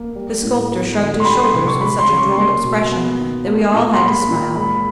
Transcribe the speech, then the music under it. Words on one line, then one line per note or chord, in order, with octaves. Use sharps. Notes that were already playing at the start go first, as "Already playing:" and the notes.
The Sculptor shrugged his shoulders with such a droll expression that we all had to smile.
Already playing: A#3
G3
A2
B3
D3
C6
G3 B5
C6
C3
C#6
G#3 B5
C6
C#3
C#6
A#3 C6
B2
B3
D#3
A#3
A#2
C6
A#3 B5
A#2
G#3 B5